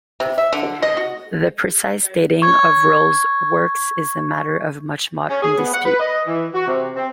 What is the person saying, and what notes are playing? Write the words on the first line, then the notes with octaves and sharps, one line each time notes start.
The precise dating of Rolle's works is a matter of much modern dispute.
C3
E5
D3
D#5
F#4
C#6 G#6
C#4
G#4
B3
F#5
B4
D#5
E3
F#4
C3
C4